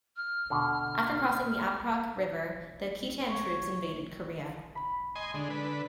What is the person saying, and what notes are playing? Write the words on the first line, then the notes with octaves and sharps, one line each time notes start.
After crossing the Aprok River, the Khitan troops invaded Korea.
F6
B2 D3
C#5
B5
D#5 G#5 C6
D3 G#3
D3 B4